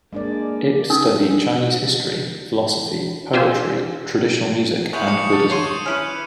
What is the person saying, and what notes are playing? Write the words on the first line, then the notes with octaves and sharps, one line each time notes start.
Ip studied Chinese history, philosophy, poetry, traditional music, and Buddhism.
G#3 A#3 D4 D5
C#4 D#4 G#5 D#6 E6
F4 G4 C5 D5 G#5 E6
G#3 B3 E4 C#6 D#6 G6 F#7
F#3 G#3 D6 D#6 C#7
A4
C#5 C6 G#6 D#7
C#4 E4 B4